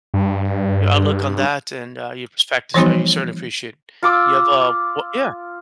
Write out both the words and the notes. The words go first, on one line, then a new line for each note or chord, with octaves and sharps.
your outlook on that and, uh, your perspectives, so, certainly appreciate it. You have a wo Yeah.
G2
E3 F3 G3 B3 D#4 F#4
F4 D6 E6